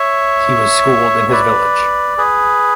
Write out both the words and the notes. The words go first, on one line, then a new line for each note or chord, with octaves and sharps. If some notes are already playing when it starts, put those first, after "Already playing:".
He was schooled in his village.
Already playing: C#5 E5
B4 D5
G#4 B4